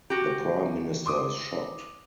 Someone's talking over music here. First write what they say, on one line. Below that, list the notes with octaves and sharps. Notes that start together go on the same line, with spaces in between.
The Prime Minister is shocked.
F#4 G4
C6 D6 D#6